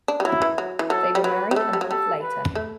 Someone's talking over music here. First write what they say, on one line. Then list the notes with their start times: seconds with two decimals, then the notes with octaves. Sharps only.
They were married a month later.
0.08 D4
0.20 G3
0.25 F#3 E4
0.42 E3
0.58 F#3
0.79 E3
0.90 F#3 A4
1.15 G3
1.24 F#3 B4
1.51 G3
1.56 A3 A4
1.73 G3
1.81 F#3
1.90 G3 A4
2.21 B4
2.55 A3